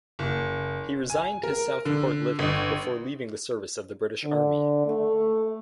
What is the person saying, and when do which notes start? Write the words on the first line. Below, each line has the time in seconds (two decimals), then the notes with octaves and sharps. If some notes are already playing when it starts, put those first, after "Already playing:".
He resigned his Southport living before leaving the service of the British Army.
0.19 F#1
1.10 G#5
1.43 A#4
1.85 D3
2.39 G1
4.24 D3
4.86 A3